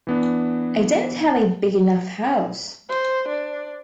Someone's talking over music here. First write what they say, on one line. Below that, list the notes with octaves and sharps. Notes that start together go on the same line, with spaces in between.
I don't have a big enough house!
E3 B3 D4
C5
D4